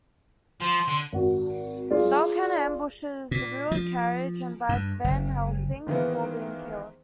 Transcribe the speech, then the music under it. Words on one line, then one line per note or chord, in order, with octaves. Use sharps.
Velkan ambushes the real carriage and bites Van Helsing before being killed.
F3 C6
D3
G#1 F#4
F4 G#4 D5
A#2
F3
G2
F#1
G#2 D#3 E3 A#3 B3